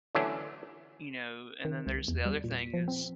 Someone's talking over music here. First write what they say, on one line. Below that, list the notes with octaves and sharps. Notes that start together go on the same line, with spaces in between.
you know, and then there's the other thing is
D3 E3 F#3 A3 C#4 D4
D#3
C#2
E2
G3
A#2
B6
F3
C4